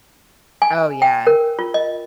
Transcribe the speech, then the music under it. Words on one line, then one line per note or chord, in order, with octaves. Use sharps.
Oh, yeah.
G#5
G5
A#4
F4
D#5